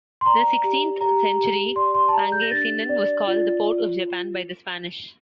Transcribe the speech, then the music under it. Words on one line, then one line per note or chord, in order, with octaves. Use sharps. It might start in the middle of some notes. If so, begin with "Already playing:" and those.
In the sixteenth-century Pangasinan was called the "Port of Japan" by the Spanish.
C6
D5 A#5
G4
G4 A#5
G4
D5 C6
C6
A5
G4 A#5
G6
A#6
D4 A6
D5
F4
F4